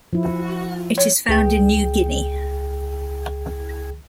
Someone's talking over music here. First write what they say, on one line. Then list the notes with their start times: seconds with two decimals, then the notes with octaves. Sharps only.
It is found in New Guinea.
0.13 F3 E4
0.98 C#5
1.29 C#2 G#4 G5